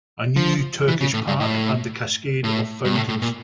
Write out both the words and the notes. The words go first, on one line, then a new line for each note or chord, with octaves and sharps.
A new Turkish Park and the cascade of fountains.
F3
E3
C#3
A2
G2
A2
A2
G2
A2
A2
A#2